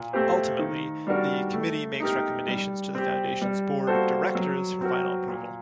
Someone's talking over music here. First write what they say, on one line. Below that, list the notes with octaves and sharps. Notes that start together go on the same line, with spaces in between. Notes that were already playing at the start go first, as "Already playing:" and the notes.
Ultimately, the Committee makes recommendations to the Foundation's Board of Directors for final approval.
Already playing: A#2
A3 C4 G4 C5
D#3
G3 D4 F#4 A#4
A3
D#4 G4 A#4
G3
C4 G4
G3
A#3 F#4 A4 C5
F#3
C4 F#4 A#4
A#2